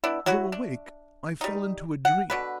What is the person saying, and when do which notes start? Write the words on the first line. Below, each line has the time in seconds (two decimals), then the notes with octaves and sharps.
Though awake I fell into a dream.
0.04 B3 D4 E4
0.26 F#3 E4 F#4
0.52 D4
1.41 G3 D#4
2.05 F#5
2.30 B2 D3 B4